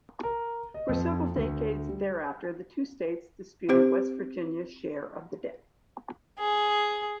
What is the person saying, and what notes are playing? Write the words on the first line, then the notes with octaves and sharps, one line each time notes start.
For several decades thereafter, the two states disputed West Virginia's share of the debt.
A#4
D#5
F2
D2
G3
C4 G4 C5
G#4